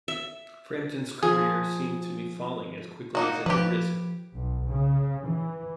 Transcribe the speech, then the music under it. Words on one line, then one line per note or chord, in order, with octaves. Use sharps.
Frampton's career seemed to be falling as quickly as it had risen.
E5
F3 G#4
A#3 D#4 F#4
F3 G4 B4
B1
C#3
E3